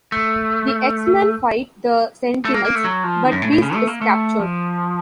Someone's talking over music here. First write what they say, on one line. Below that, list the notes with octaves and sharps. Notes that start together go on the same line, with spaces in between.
The X-Men fight the Sentinels, but Beast is captured.
A3
A3
A#3
A#3
A3
F#3
F3
D#3
F#2
A2
A2
C#3
A3
A#3
A3
F3